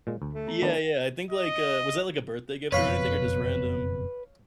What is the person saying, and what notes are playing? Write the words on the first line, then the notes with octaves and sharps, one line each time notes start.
Eh Yeah, yeah, I think, like, uh, was that, like, a birthday gift or anything or just random?
A#2 G#3
D2
A3
A#5
D#3 B3 D4
D#5
F#1 F2 B2 B4 C#5 F5 B5